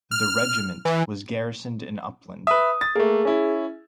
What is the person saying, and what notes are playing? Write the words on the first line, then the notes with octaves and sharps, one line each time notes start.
The regiment was garrisoned in Uppland.
F6
E3
B4 E5 D#6
A6
A3 A#3 G#4
C#4 E4